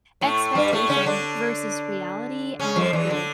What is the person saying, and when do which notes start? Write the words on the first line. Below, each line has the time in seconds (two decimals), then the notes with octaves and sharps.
expectation versus reality, and the d
0.21 A2 A3
0.55 G2 G3
0.72 A2 A3
0.89 C#3 C#4
1.06 D3 D4
2.59 C#3 C#4
2.76 F2 F3
2.93 E2 E3
3.10 D3